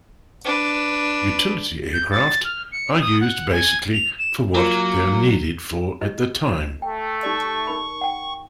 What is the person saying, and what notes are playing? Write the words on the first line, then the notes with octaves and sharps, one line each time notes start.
Utility aircraft are used basically for what they are needed for at the time.
D4 B4
G6
A6
F6
C#7
D#6
F#5
G#5
F7
E7
F#3 A#3 F4 A#4
E4 G4 D#5
A3 G5
D#4 G4 D5 C#6
D#4 A#4 B5
F#5 G5